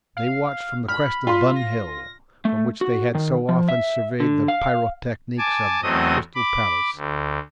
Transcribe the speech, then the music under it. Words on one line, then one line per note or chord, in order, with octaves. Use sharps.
They watched from the crest of Bun Hill, from which they had so often surveyed the pyrotechnics of the Crystal Palace.
F5
B5 F6
F4 C6
A#6
A3
F#4
D#3
F3
E5
D3
F5
G#5 A5 D6
E2 F#3 A3 C4 D#5 D#6
B5 D6
D2